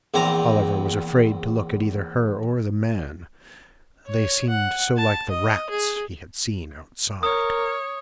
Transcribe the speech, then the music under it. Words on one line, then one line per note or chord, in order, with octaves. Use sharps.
Oliver was afraid to look at either her or the man. They seemed so like the rats he had seen outside.
A#1 E2 C4 C5 A#5
C#5
F#5
A5
D#5
G#4
A#4 C#5 D#6